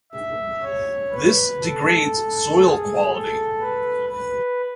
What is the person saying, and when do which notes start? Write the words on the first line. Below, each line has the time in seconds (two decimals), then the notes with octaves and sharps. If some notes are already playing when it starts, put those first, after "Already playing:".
This degrades soil quality.
0.12 E5
0.62 C#5
1.12 B4
1.62 A4
2.61 G#4
3.11 A4
3.60 B4
4.10 B4